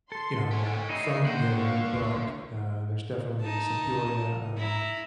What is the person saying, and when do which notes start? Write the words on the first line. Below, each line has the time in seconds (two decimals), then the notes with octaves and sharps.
you know, I'm not from there, but, uh, there's definitely some Peoria, um,
0.12 A4 C6
0.51 G4 C#5 G#5
0.89 A2 A3 D#4 E4 D#5 C7
1.24 D3 A#3 C5 F#5 G5
1.56 D3 F5 C#6
3.42 D#4 A5
4.57 E4 A#5